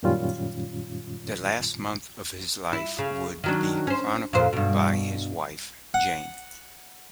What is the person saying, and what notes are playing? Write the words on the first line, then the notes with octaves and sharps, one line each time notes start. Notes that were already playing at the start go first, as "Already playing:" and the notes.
The last month of his life would be chronicled by his wife, Jane.
F#2 A#2 D#3 G3 C#4 F4
E4
C#3
D#3 F#3 D4
C#4 C5
F2 A#2 C5
G2 B2
F#5